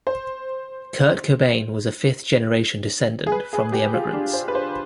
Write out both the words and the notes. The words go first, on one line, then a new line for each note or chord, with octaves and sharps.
Kurt Cobain was a fifth generation descendent from the emigrants.
C5
G#4
B4
G#4
G4
F4
D4
C5
B4
C5